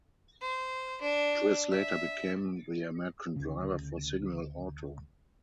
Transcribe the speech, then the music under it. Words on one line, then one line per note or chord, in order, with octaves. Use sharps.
Chris later became the American Driver for Signal Auto.
C5
D4
E5
D2 C#3